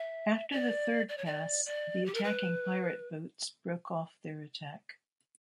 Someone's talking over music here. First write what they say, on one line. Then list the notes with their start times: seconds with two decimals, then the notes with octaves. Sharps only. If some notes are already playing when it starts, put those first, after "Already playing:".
After the third pass, the attacking pirate boats broke off their attack.
Already playing: E5
0.51 D5
1.08 D5
1.17 C#5
1.25 D5
1.65 D5
2.05 G4
2.14 A#4
2.23 B4